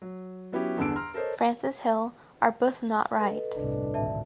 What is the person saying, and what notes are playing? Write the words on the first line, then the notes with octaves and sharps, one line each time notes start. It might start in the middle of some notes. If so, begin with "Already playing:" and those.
Francis Hill Arbuthnot Wright.
F#3
F#3 B3 C#4 E4 F#4 G4
G1 E2 D3 D4 E6 D7
A#5 C6 F6
A4 A#4 C5 C#5 D#5
A4 B4 D#5
G1 C2 A2 D4
G#1 D2 A#2 D5 E5 A5